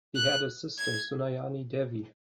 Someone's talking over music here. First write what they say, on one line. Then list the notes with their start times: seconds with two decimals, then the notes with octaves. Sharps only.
He had a sister, Sunayani Devi.
0.16 F#6
0.78 G#6